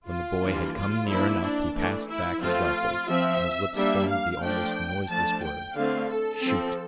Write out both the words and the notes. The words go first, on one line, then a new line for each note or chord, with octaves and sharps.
When the boy had come near enough he passed back his rifle, and his lips formed the almost noiseless word, "Shoot!"
F4
E3 G3 A#3 D4
F4
F3 A#3 D4 E4
D4
E3 A3 D4
E4
F3 A3 C4 F4
F3 C4 E5
G3 A#3 D4 E5
F5
F3 A3 D4 G5
F3 A3 D4 A5
G5
D3 A3 C4 F5
A4
F3 C4